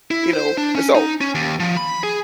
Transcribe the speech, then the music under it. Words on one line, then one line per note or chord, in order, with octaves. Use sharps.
you know, and so,
E4
C5
D4
C#4
D#4
C#4
D#2
F3
B5
G#4